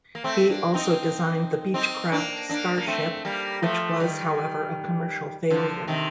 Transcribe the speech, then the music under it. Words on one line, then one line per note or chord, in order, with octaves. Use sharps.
He also designed the Beechcraft Starship, which was, however, a commercial failure.
A#3
A3 C4
A#3 D4
C4 D#4
C4 D#4
A#3 D4
A#3 D4
A#3
A3 C4
G3 A#3
F3 A3
D#3 G3
D3 F3
C3 D#3